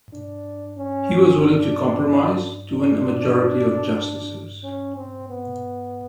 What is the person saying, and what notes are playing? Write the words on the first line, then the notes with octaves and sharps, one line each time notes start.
He was willing to compromise to win a majority of Justices.
D4
C#4
D4
D4
C#4
C4
B3